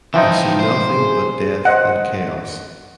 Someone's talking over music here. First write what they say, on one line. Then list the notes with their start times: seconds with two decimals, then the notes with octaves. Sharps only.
I see nothing but death and chaos.
0.14 C#3 E3 F3 D#4 E5 G5
0.60 C5
0.96 G#4
1.65 C5 D#5 F#5